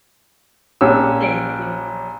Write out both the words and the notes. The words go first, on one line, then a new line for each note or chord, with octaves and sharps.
Thank you.
A#1 C#4 G4 E6